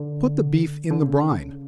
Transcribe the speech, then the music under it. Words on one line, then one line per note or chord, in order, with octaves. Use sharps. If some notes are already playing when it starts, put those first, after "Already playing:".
Put the beef in the brine.
Already playing: D3
D3
C#3
D3
C#3